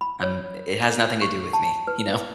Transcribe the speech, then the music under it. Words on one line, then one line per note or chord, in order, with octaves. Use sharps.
I'm i it has nothing to do with me, you know?
B5
C#5
C#6
A5
B4